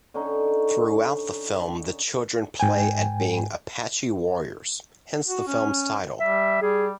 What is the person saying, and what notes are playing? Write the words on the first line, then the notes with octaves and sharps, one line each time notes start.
Throughout the film the children play at being "Apache warriors", hence the film's title.
D3 C#4 D#4
G#2 G5 G#5
F#4
C#4
G3 E5
G3 G#4